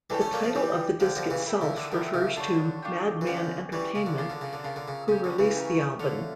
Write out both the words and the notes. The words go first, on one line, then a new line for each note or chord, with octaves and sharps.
The title of the disc itself refers to Madman Entertainment, who released the Albun.
E3 G3 D4 A4 C#5 G5
A3 C#4
G3 A#3
F3 A3
E3 G3 G4 D5 G5
D3 F3 G4 D5 G5
D3 F3
C#3 E3
E4 A#4 E5 G5
C#3
D3
D3 E4 A#4 E5 G5
C#3
D3 D4 F4 C#5 G5
D4 F4 C#5 G5
E3
D3 F3 C#4 G4 D5
E3 G3 C#4 G4 D5
C#3
D3
C#3 D4 F4 A#4
D3
C#3
D3
C#3 D4 F4 A#4
D3
C#3
C#3 C#4 G4 A#4
D3
C#3 E3
C#4 G4 A#4
D3 A3 C#4 F4 C#5